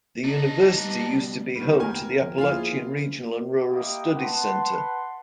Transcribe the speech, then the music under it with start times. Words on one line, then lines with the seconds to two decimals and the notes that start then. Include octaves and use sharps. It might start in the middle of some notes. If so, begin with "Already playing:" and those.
The university used to be home to the Appalachian Regional and Rural Studies Center.
0.24 D4 D#4
0.74 B2 G3 B3
1.56 D#3 G3 B3
1.80 A#4 G5 G#5
2.21 F3
2.38 A#3 E4 F4 G#4 F5
3.69 A#3 E4 G4 D#5 G5
4.15 B4 F#5 A5 C6